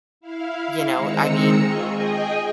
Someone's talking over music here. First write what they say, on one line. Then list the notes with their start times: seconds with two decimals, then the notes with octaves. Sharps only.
You know, I mean,
0.21 E4 F5
0.93 D#3 G#3 C4 A#5 E6 C#7
1.63 F4 G#4 D#5 G#5 C#6
1.94 G#4 D#5 G5 G#5